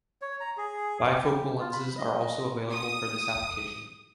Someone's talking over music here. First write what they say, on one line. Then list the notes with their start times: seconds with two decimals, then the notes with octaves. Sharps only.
Bifocal lenses are also available for this application.
0.22 C#5
0.40 A#5
0.57 G#4
1.12 G4
1.60 F4
1.73 B5
1.97 D#5
2.72 D#6